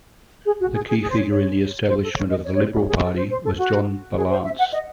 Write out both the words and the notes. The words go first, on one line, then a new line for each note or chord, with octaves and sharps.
The key figure in the establishment of the Liberal Party was John Ballance.
G#4
F#4
G#4
G#4
G#4
C5
C#5
C#5
C5
A4
C#5
D#5
C#5
C#5
C5
F#4
G#4
A4
C5
C5
A4
F#4
G#4
C5
E5
F#5
D#5